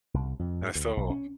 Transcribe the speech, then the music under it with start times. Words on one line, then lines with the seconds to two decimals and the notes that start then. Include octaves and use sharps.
and so
0.14 C2
0.39 F2
0.61 G#2
0.75 D2
0.97 B1
1.10 C#4